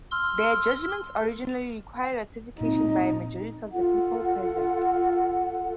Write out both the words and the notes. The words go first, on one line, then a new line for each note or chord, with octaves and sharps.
Their judgments originally required ratification by a majority of the people present.
C6 E6 F6
A#2 C4 D#4
F4 A4 F#5